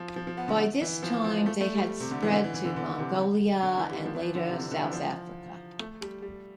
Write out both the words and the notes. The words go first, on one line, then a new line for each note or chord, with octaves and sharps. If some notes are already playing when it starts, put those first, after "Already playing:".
By this time they had spread to Mongolia and, later, South Africa.
Already playing: F3
F3
F3
B3
D3
E3
F3
F3
A3
A3
G3
C3
D3
E3
D3
E3
E3
D3
D3
C3
D3
E3
G3
F3
E3
F3
D3
C3
D3
D3
E3
F3
A3
G3
G3